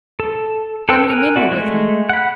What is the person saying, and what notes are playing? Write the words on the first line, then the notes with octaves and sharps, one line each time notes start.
'How many men were with him?'
A4
A4 B4 C5 G5 E6
A#4 G#5 F#6
C4 C#4 E4 F#4 D5
G#3 A3
F#5 B5